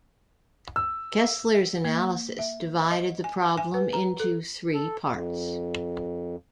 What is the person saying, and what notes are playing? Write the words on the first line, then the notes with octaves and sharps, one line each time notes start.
Kessler's analysis divided the problem into three parts.
E6
A#3
E5
D#5
G#5
G#5
B4
A#5
A4
A4
F2